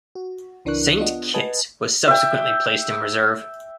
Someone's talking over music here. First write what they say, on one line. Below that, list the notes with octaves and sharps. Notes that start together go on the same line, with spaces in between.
"Saint Kitts" was subsequently placed in Reserve.
F#4
C#2 E3 D4 A#4 C#6 F#6
B3 D4 F4 D#5 F#5
B4 D#5 F#5 G#5 A5
E5 G5